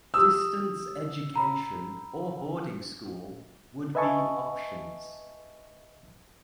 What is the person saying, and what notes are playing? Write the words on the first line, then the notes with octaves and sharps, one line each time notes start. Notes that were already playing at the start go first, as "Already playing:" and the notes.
Distance education or boarding school would be options.
G4 D#6 E6
A#5 B5
B4 D#5 E5 G#5 A5 C#6